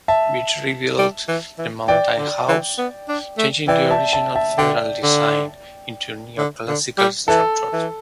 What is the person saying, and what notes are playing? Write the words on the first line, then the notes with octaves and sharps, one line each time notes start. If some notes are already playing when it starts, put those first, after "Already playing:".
Beach rebuilt the Mountain House, changing the original Federal design into a neo-classical structure.
E5 A5
G3
E3
E3
E3 D5 G5
D3
E3
B3
D4
A3
E3 D5 G5
E5 A5
E5 A5
E5 A5
D3 D5 G5
D3
D3
D3
G3
E3 A4
E3